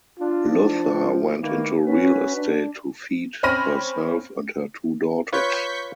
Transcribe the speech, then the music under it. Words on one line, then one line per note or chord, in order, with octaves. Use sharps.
Luther went into real estate to feed herself and her two daughters.
D4 F4
F3
D#3 E3 A3 A#3
C#4 F#4 B4
D4
C4 C#4 B5 F6 A#6 D#7
F4 B4 C#5 C#6 G6 B6